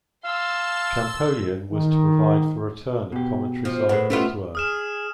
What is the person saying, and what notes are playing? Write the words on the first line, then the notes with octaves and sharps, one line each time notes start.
Champollion was to provide for return of cometary samples to Earth.
F5 A5 C6 E6
D#3
B2 G4
F3
A2 G#4 B4 F#5
A3 B3 C#4 F4 G4 B4
G#4 D#6 F6 E7